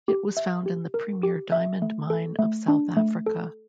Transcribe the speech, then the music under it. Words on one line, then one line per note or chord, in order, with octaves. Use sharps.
It was found in the Premier Diamond Mine of South Africa.
G4
E5
G4
A#4
G4
E5
A3
A4
A3
D4
A3
A4